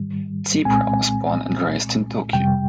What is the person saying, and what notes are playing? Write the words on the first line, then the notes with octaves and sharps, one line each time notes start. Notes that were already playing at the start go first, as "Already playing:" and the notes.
Zeebra was born and raised in Tokyo.
Already playing: G#2 D#3 G3
C2 A#2 G#3 C4 G#5
F2 C3 G3 G5